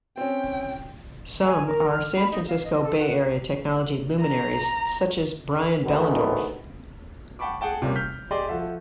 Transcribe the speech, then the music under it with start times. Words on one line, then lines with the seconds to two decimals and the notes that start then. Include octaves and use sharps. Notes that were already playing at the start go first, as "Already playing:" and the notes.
Some are San Francisco Bay Area technology luminaries, such as Brian Behlendorf.
0.17 C4 C#4 G5
1.41 G#5
1.64 A#4
1.89 F6
2.15 B5
2.30 D#4
2.48 F5
2.64 D#5
2.83 A4
2.97 F#5
4.23 A#5
5.84 A1 D2 G#2 B2 D#3 B3
7.39 F#5 G5 A5 B5 C#6 D6
7.61 G#4 F#5 G5 A5
7.82 C3 G3 A#3 C#4
7.96 F6 G6 B6
8.31 G4 G#4 D5 D#5 G5 C6
8.48 F3 F#4 A4 E5